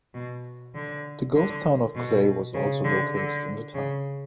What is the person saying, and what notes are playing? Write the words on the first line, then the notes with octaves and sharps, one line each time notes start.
The ghost town of Clay was also located in the town.
B2
D3
D3
B2
C#3
D3
D3
C#3